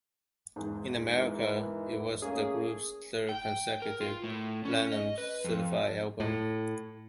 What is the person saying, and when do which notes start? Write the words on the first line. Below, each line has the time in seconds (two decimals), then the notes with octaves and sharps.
In America, it was the group's third consecutive Platinum-certified album.
0.56 E2 G#2
1.13 E3 G#3 A#4
2.22 A3 A#3 C#4 G#4
3.29 G5
3.82 A#4
4.01 F4
4.24 A2
4.65 C#4
4.92 D#5
5.18 B4
5.44 F2
6.20 A2